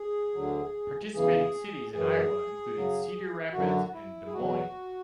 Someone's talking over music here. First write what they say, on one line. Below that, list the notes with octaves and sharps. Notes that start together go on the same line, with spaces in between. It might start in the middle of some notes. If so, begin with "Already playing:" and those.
Participating cities in Iowa included Cedar Rapids and Des Moines.
Already playing: G#4
D2 D3 F#3
E2 C#3 E3 G#4
F#2 E3 G#4
F#2 C#3 F#3
F#2 D3 F#3 F#4
E4
G#4
E2 B2 F#3 F#4